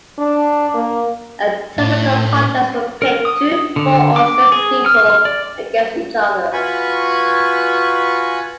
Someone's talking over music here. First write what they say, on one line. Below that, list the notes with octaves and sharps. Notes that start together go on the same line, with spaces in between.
A typical contest would pit two, four or six people against each other.
D4
A#3
A2
A#4
D#6
D3
D6
G#4
F6
D5
F4 F#4 B4 G#5 B5 C#6